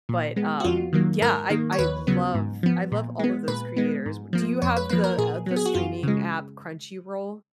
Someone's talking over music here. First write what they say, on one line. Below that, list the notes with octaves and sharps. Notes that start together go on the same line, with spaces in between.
But, um yeah, I I love I love all of those creators, w do you have the, uh the streaming app Crunchyroll?
A#2
G#3 B3
F#4
F2 F4
D#3 F#3 A#3
G#2 A#4
D#3 A#3
C#5
D#2 B4
C#3 F#3 B3
G#2
F3 B3
A#2
G#3 B3
A#2 B4
G#3 B3
G#2
F3 A#3
F2 C#5
B4
F3 A#3 B4
A#4
A#2 G#4
F#3 B3
G#4
F#4
F#2 F4
C#3 G#3